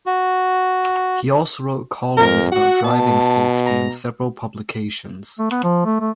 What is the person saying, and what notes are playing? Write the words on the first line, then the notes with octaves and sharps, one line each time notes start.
He also wrote columns about driving safety in several publications.
F#4
F2 A#4
F#4 F#5
B2 A5
A#5
A3
B3
F3
A3
A3